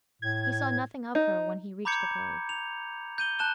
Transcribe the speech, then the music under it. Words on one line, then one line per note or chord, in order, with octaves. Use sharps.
He saw nothing of her when he reached the Cove.
A2 G#6
D#4
A#5 B5 D6 G6 G#6 C#7
F7
G6 D#7 G7
A5 F#6 E7 G7